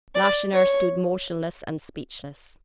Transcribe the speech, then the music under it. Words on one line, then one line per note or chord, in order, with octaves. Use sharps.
Lacheneur stood motionless and speechless.
D5
C#5